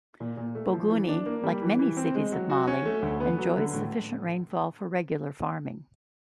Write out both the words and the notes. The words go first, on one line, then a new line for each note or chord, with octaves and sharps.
Bougouni, like many cities of Mali, enjoys sufficient rainfall for regular farming.
A#2
A#2
A3
F3
E3
D4
A#3
G3
E3
E3
C4
G#3
F#3
F#4
C#4
A3
D2
B3
F#3
D3
A2